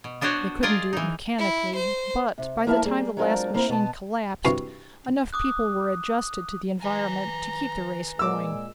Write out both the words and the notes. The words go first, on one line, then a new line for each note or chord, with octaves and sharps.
They couldn't do it mechanically, but by the time the last machine collapsed, enough people were adjusted to the environment to keep the race going.
B2
B3 D4 F#4 C5 C#5
F4 G#4 A#4 D5 D#5
E3 D#4
E4
C5
C3
F3 A#3 E4 A#4 E5 A5
G3 A#3 G#4
F#3 G#3 C4 D4 F4 A#4
A#3 C4 E4 A#4
B2 B3 C#5 A5
G2 C3 E4 F#4 F5
D6 D#6 F#6
B4 G#5 A#5
A#2 G#3 D6 E6